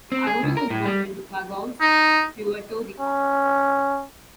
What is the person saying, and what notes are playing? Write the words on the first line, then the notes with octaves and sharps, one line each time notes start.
Arroyo was born in Caguas, Puerto Rico.
C4
G#4
C#2
A#4
A2
G3
D#4
C#4